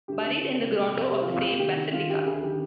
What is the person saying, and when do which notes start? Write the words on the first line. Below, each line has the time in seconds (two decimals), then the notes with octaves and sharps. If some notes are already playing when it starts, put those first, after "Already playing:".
Buried in the grotto of the same basilica.
0.08 D2 G4
0.25 D3
0.43 D2
0.59 C3
0.76 C3
0.92 F2
1.09 C3 G4
1.22 F4
1.26 F2
1.34 F4
1.43 C3 G4
1.59 D#3 G4
1.77 D#3 G4
1.93 D#3 F4
2.10 D2 G4
2.26 D2 G#4
2.44 D#3 G4